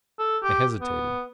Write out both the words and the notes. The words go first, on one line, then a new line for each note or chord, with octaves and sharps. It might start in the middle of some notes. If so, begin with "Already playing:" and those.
They hesitated.
A4
G4
B3